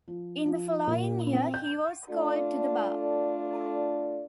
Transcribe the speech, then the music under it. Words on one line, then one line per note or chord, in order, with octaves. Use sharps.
In the following year he was called to the bar.
F3
F3
A#2
C4
G6
A3 D4 F4 A4 D5